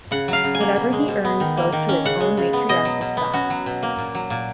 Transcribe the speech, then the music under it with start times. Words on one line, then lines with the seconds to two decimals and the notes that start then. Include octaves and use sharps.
Whatever he earns goes to his own matriarchal stock.
0.11 C#3 F#5
0.28 F#3 F5
0.44 C#3
0.55 G#5
0.60 A#3
0.76 B2
0.93 G#3
1.08 B2
1.25 B3
1.40 D#3
1.57 A#3
1.73 D#3
1.89 C#4
2.05 C#3 F#5
2.20 G#3
2.37 C#3
2.53 B3
2.69 B2 D#5
2.85 F#3
3.01 B2
3.17 B3
3.33 C#4 F#4
3.50 F#3
3.66 B2
3.83 A#3
3.98 A#2
4.15 F#3
4.30 A#2